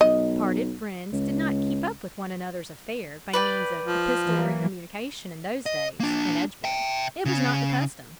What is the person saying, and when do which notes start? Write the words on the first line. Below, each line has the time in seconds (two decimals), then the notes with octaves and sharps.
Parted friends did not keep up with one another's affairs by means of epistolary communication, in those days, in Edgewood; it was not the custom.
0.01 B1 D#5
1.12 C#2
3.34 B4 D5 G5
3.85 F3
4.26 E3 F#3 A#3
5.66 D#5
6.00 A#3 D4
6.64 E5 G5
7.25 C#3 C#4